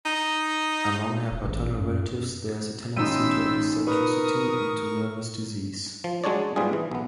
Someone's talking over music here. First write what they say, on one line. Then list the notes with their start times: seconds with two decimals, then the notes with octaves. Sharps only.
Among her paternal relatives there is a tendency to eccentricity and to nervous disease.
0.06 D#4
1.31 E1
1.47 A1
1.80 F#2
2.96 A1 D#4 G5 B5 C6 E6 D#7
3.87 A#4 B4 C#6 D#6
6.04 F3
6.24 F#3 G#3 D4 C#5 D5
6.56 G#2 G3 B3 F4 G#4
6.73 E3
6.91 B1 B3